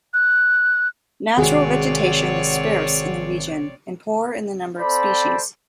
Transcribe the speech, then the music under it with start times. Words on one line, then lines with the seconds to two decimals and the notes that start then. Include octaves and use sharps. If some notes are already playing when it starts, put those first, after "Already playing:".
Natural vegetation is sparse in the region and poor in the number of species.
0.14 F#6
1.37 G#1 C3 F#4 G#4 C#5 D5 F#5
4.79 C4 A4 C5 D5 B5